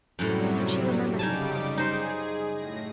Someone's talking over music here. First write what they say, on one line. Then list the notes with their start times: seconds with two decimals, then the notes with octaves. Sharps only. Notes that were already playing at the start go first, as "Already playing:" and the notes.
But she remembered her promise.
0.19 F#2 A2 C3 F#3 G3
1.19 C#3 G3 D#4 G#5 A5 D6
1.78 D#4 G#4 C5
2.54 A2 A#6